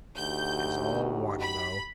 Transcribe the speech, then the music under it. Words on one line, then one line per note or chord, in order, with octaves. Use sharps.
'Tis all one, though!
D2 D#4 F#4 G4 G6
B5